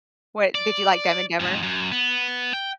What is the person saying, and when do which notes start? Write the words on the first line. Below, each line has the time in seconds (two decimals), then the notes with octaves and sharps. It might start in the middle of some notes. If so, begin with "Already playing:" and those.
What did you like Dumb and Dumber?
0.55 D5
1.40 F2 G#2
1.63 F#2
1.92 B3
2.53 G5